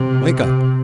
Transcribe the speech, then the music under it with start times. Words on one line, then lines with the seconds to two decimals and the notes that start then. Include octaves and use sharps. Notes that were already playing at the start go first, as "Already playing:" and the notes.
Wake up!
Already playing: C3
0.34 C3